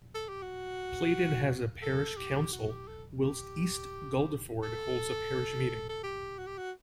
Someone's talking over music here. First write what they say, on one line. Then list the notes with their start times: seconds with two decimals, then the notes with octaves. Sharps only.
Playden has a Parish Council whilst East Guldeford holds a Parish Meeting.
0.15 A4
0.29 G4
0.42 F#4
1.82 A4
2.17 G4
2.53 F#4
2.69 G4
2.87 A4
3.23 G4
4.63 A4
5.89 A4
6.03 G4
6.38 F#4
6.47 G4
6.57 F#4